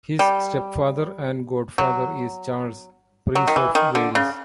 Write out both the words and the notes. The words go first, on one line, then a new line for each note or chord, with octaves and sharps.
His stepfather and godfather is Charles, Prince of Wales.
G3
F#3
F#3
D#3
E3
D#3
D3
C#3